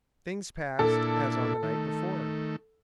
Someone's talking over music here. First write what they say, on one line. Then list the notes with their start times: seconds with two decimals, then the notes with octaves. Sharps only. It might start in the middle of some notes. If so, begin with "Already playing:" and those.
Things passed as on the night before.
0.79 A#2 D4 E4 A4
1.63 D#3 A3